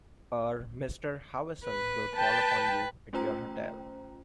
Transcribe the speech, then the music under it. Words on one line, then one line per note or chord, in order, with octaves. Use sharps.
Our Mr Howison will call upon you at your hotel.
B4
B4 G5 A5
A3 C#4 F4 C5 G5 A#5